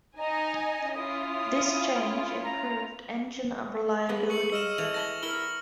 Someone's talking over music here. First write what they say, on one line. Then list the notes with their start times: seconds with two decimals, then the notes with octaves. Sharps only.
This change improved engine reliability.
0.19 D#4 D#5 G#5 A#5
0.95 C#4 E4 F4 D#6
2.44 A#5
4.09 G#3 A#3 B3
4.29 B4 C#6 C#7 F#7
4.52 D#5 E6 F6 E7
4.78 E3 A3 F7 F#7
4.94 G#5 A5 B5 A#6 G7
5.23 E4 A#4 F6 G7